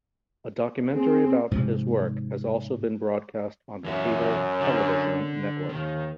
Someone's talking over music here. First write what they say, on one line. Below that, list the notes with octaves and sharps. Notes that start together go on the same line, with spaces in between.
A documentary about his work has also been broadcast on the Cable Television network.
C4 G#4
G#2 C3 F3
F#2 E3 F#4 E5
D3
D#2 D#3